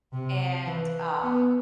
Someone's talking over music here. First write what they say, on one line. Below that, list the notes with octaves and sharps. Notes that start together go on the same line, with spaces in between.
and, um,
C3
E3
B3